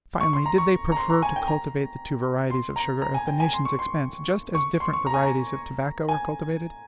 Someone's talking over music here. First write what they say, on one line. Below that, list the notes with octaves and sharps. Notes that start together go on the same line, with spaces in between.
Finally, did they prefer to cultivate the two varieties of sugar at the nation's expense, just as different varieties of tobacco are cultivated?
C#6
C6
A#5
C#6
A#5
C6
A#5
G#5
G5
A#5
C6
A#5
A#5
G#5
G5
G#5
C6
C#6
C6
C#6
C6
C#6
A#5
G#5
A#5
G#5